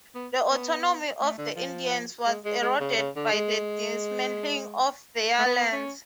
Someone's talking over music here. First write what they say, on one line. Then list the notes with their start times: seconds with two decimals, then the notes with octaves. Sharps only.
The autonomy of the Indians was eroded by the dismantling of their lands.
0.15 B3
0.50 B3
1.21 A3
1.38 D3
1.56 F3
2.26 G#3
2.45 G#3
2.62 G#3
2.80 C#3
2.97 C#3
3.16 D3
3.33 G#3
5.39 A3
5.46 B3
5.72 C#4